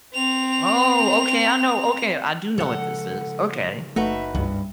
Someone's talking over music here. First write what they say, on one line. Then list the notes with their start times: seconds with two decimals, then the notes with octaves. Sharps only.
Oh, okay, I know, okay, I do know what this is, okay.
0.14 C4 F7
2.58 C#3 F3 G#3 A4 F#5
3.96 F#1 A3 D#4 F#4 B4 E5
4.35 C#2 G2